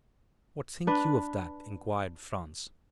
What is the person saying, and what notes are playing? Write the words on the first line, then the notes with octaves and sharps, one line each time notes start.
"What think you of that?" inquired Franz.
D4 B4